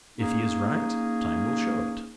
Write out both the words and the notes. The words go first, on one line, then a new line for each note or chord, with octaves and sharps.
If he is right, time will show it.
A#3 C#4 D#4 G#4